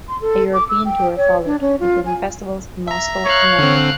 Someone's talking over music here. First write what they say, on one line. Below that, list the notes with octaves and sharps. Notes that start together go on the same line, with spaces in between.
A European tour followed, including festivals in Moscow and London.
C6
A4
D6
E6
G5
C#5
D4
C#4
F4
G#5
E5 A#5
C#5 F5 F#6
D3 C4